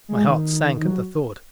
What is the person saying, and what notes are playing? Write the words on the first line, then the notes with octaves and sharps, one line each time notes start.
My heart sank at the thought.
G#3
D#3
D#3
F#3